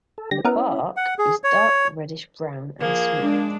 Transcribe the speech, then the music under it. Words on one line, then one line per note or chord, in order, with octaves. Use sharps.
The bark is dark reddish brown and smooth.
A4
D3 G3 G4 A#6
B3 C#4 E4 A#4
F#5
G#4
C#5
F3 A#3 G#4
G#3 D4